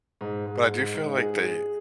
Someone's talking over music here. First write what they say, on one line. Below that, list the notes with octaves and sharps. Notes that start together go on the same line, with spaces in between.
But I do feel, like, they
G#2
G#2
G#3
G#2
G#4
G#4